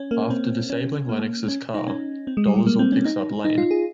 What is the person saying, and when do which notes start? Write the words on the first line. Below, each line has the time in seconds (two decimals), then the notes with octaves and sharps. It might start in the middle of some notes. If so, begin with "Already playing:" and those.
After disabling Lennox's car, Dolezal picks up Lane.
Already playing: C#4
0.11 A#3
0.30 C4
0.70 C#4
1.09 A#3
1.48 C#4
1.74 D#4
1.88 C#4
2.27 C4
2.37 G#3
2.46 G3
2.56 G#3
2.67 A#3
2.79 C4
2.92 C#4
3.05 D#4
3.45 D#4
3.58 F4
3.71 G#4